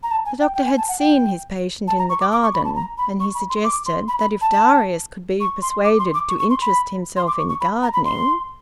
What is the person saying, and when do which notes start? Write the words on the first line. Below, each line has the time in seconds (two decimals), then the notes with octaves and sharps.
The doctor had seen his patient in the garden, and he suggested that if Darius could be persuaded to interest himself in gardening...
0.03 A#5
0.11 A5
0.25 G#5
0.41 G5
0.55 G5
0.66 G#5
0.77 A5
0.88 F#5
0.99 G5
1.87 A5
1.99 A#5
2.09 C#6
2.21 D6
2.31 D6
2.43 C#6
2.54 B5
2.65 A5
2.75 A#5
2.98 B5
3.20 C#6
3.34 B5
3.49 C6
3.64 D6
3.86 C6
4.08 B5
4.19 B5
4.41 A5
4.52 A5
5.40 C#6
5.62 C6
5.84 D6
5.99 C6
6.14 D6
6.28 C#6
6.39 C#6
6.50 C6
6.61 B5
7.17 C6
7.27 D6
7.38 C#6
7.49 C#6
7.60 B5
7.83 A#5
7.93 B5
8.05 C6